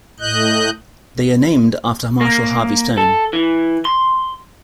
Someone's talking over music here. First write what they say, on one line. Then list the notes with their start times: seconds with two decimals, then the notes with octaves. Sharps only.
They are named after Marshall Harvey Stone.
0.20 A2 D#5 F#6 G6
2.21 A#3
2.98 A4
3.33 E3
3.85 C6